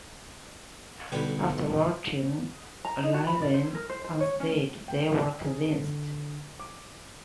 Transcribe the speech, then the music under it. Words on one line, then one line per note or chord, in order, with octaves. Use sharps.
After watching Levine onstage, they were convinced.
B1 D3 G3 G4 B4
A#5
D#4
F#4
B5
D5
C5
A#4
C5
C5
C#5
C#4
G5
G#4
D3
D6